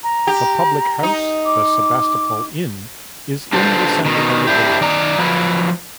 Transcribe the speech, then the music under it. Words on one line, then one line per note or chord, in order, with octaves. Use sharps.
The public house, The Sebastopol Inn, is in the centre of the village.
A#5
G4
D#4
D6
D4 F4 G4 A4 B4 C5
B2 D#3
C4 D4 E4 G4
D#3 D5 A#5
F3 F#3 B4